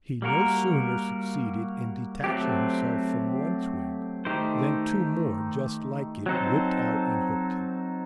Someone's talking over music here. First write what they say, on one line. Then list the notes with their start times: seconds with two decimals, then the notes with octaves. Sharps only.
He no sooner succeeded in detaching himself from one twig, than two more just like it whipped out and hooked him.
0.22 G3 A#3 F#4 A#4
2.24 F#3 A3 C4 G4
4.25 D#3 A3 D#4 G4 C5
6.26 F#3 C4 D#4 A4 C5